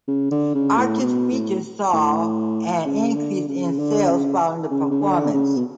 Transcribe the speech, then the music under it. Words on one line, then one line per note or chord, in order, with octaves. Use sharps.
Artists featured saw an increase in sales following the performance.
C#3
D3
C#3
A2
B2
A2
A2
C#3
D3
C#3
D3
C#3
C#3
C#3
D3
C#3
B2